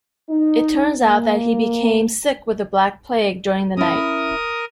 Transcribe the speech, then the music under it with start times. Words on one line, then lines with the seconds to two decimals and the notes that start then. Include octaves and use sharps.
It turns out that he became sick with the Black Plague during the night.
0.30 D#4
1.03 A#3
3.77 C#4 E4 A#4 D#6